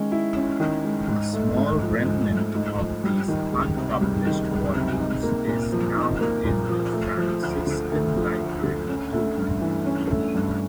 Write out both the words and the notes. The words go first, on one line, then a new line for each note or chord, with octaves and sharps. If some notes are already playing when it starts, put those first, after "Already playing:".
A small remnant of these unpublished volumes is now in the Franciscan Library, Dublin.
Already playing: D#3 G#3 C#4
E4
C#4
D#3
G#3
G#2
A3
G#2
F3
G#2
A3
G#2
F3
G3
D#3
C#2
C3
G3
D#3
C#2
C3
D#4
A#3
A#2
F3
D#4
A#3
A#2
F3
A3
F3
D2
D3
A3
F3
D2
D3
C#4
A3
G2
E3
C#4
A3
G2